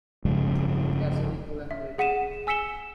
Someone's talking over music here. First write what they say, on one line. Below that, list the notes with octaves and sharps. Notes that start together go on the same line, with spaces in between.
That's really cool and original.
G1 F2 C#3 G#3
E5
G#4 F#5 B6 D#7 E7
G#5 E6 B6 C#7 E7 G7